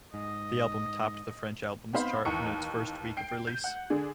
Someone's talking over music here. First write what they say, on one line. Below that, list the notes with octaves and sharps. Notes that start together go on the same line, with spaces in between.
The album topped the French Albums Chart in its first week of release.
G#2 D#5
B3 C4 D#4 C5 F5 B5
D#2 E3 D#5 A#5 C#6 C#7
G5 C7 D7
G6
F#5
D3 D4 G#4